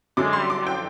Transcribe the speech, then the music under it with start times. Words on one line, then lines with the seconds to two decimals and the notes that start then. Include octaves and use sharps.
I know.
0.17 F#2 D3 F#3 D6
0.33 C6
0.50 D6
0.67 G5